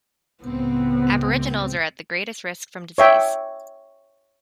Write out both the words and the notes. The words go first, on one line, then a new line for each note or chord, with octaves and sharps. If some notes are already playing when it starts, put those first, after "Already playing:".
Aboriginals are at the greatest risk from disease.
C#2 A2 B3 C4
C#5 E5 G5